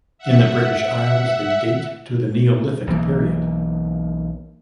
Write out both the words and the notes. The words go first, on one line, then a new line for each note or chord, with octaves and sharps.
In the British Isles they date to the Neolithic period.
E5 F#5
B1 E3 A#3